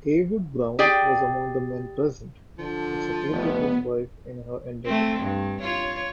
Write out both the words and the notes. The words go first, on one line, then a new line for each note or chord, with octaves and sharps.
Heywood Broun was among the men present, and supported his wife in her endeavors.
G4 G#4 D5 G5
D3 F3
F1 B3
A3 C4
G2
F4 C#5